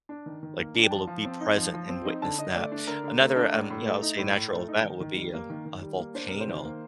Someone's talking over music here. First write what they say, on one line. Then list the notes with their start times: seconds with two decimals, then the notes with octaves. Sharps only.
like, be able to be present and witness that. Another, um, you know, I would say natural event would be, um, a volcano
0.09 D4
0.26 D#3
0.43 D#3
0.59 A#3
0.75 D4
0.83 G5
0.91 F3 A5
1.07 F3
1.25 C4
1.40 D#4
1.57 F3
1.74 F3
1.89 C4
2.05 D#4
2.22 D3 A5
2.38 D3 D#5
2.55 A3 D5
2.72 D4
2.87 D3 A#4
3.04 D3
3.20 A3
3.36 D4
3.53 A2
3.70 A2
3.86 A3
4.02 D#4
4.18 A2
4.34 A2
4.51 A3
4.68 D#4
4.84 D#3
5.00 D#3
5.17 G3
5.34 A#3
5.50 D#3
5.66 D#3
5.82 G3
5.99 A#3
6.15 D4 C5
6.28 C3 A#4
6.41 C5
6.48 D#3
6.65 A#3